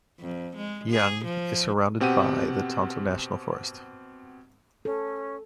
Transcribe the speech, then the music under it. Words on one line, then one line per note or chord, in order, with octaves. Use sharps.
Young is surrounded by the Tonto National Forest.
F2
G#3
G#4
F3
B2 C4 G4 F#5 D#7
C#4 A4